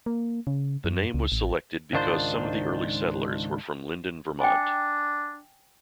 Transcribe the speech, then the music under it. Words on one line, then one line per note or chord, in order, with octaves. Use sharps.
The name was selected because some of the early settlers were from Lyndon, Vermont.
A#3
C#3
F#2
C#2
A1
C#2 G#2 D#3 D4 F4 C5
D4 G5 G#5